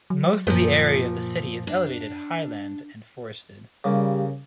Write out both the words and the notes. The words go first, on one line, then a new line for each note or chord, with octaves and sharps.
Most of the area of the city is elevated highland and forested.
F#3
F#2 A#2 F3
D4
C#3 G3 A#3